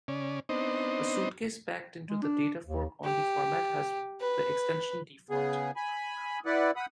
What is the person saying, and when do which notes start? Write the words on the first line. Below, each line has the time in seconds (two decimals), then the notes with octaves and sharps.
A suitcase packed into the data-fork-only format has the extension "dfont".
0.08 C#3 C#4 D5
0.49 B3 C4 D4 D#4 C5 D#5
2.09 G#3
2.22 D4
2.66 D#2
3.04 G4
4.21 B4
5.30 C#3 B3 G#4
5.76 G#5 B5
6.46 E4 B4 D5 F#5
6.76 F#5 B5 D#6